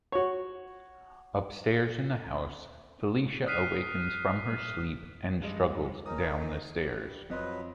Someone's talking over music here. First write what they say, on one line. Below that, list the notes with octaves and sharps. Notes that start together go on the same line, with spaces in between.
Upstairs in the house, Felicia awakens from her sleep and struggles down the stairs.
F#4 C#5
D#6 F6 F#6 B6 C7 D#7
G2 G#3 D#5
C#4 D#4 A#4 D#6
G2 G3
F2 F#3 B4 D#5 C6